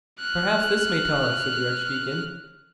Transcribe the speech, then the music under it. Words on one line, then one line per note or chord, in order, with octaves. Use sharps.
"Perhaps this may tell us," said the Archdeacon.
F6 F#6